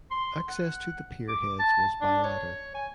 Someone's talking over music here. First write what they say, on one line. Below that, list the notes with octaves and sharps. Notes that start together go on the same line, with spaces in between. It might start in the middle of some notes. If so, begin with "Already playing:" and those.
Access to the pier heads was by ladder.
C6
F#5
D6
A5
D4
C#5
G#5